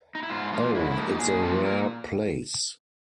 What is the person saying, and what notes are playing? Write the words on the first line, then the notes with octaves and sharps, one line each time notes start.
Oh, it’s a rare place!
D#4
E4
G#2 F4
E4
F3 A#3 F4
G#2 E4
E4
F3 A#3 D#4
A#2 G#4
F3 A#3 A4
A#2 A#4